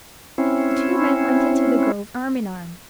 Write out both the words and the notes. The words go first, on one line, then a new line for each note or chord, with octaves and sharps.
The two men went into the grove arm-in-arm.
C4 C#4 E4